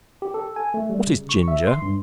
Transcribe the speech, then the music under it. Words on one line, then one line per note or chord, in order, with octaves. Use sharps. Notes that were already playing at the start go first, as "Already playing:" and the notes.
What is Ginger?
G4
A4
G#5
A3
G3
C#3
C#6
E5
C6
G2